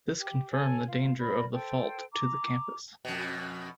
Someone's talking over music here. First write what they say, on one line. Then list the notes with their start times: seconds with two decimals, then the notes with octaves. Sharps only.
This confirmed the danger of the fault to the campus.
0.18 G4
0.51 A4 C#5 G#5
0.88 F4
1.19 A#4 C5 D5 B5
1.52 A4 C5 G5
2.11 A#5 D6
3.05 F2 B2